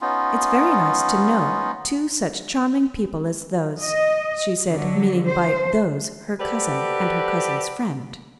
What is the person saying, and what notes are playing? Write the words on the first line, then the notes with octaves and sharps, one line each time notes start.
"It's very nice to know two such charming people as those," she said, meaning by "those" her cousin and her cousin's friend.
B3 C#4 D#4 F4
D#5
D3 F#3
C5
F#4 G4 A4 B4 C5 D5